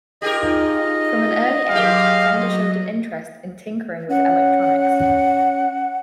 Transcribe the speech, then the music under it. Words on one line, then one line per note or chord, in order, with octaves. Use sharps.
From an early age, Fender showed an interest in tinkering with electronics.
D#4 F4 G4 G#4 A#4 D#5
G#2 F#3 G4 F5
C#4 F#5